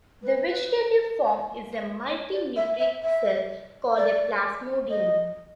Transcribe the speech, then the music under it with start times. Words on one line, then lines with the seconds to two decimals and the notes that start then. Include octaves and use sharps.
The vegetative form is a multinucleate cell, called a plasmodium.
0.23 B4
2.10 C#5
2.33 D5
2.56 E5
2.79 E5
3.03 E5
3.96 D5
4.90 D#5